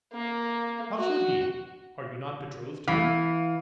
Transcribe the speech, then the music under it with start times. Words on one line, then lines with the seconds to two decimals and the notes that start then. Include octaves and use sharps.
How should he? Are you not betrothed to him?
0.13 A#3
0.98 F#4
2.88 E3 F5